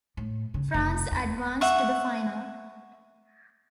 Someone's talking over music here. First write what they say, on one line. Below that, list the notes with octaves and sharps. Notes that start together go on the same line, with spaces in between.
France advanced to the final.
A2
C#3
F1
E2
E5 F#5 C#6